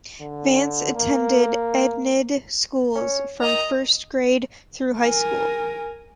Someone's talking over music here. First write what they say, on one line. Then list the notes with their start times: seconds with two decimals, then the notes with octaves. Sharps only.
Vance attended Enid schools from first grade through high school.
0.20 D3
0.95 A#3
2.95 C#4
3.40 D#3 D#5 A#5
4.99 A#4 G#5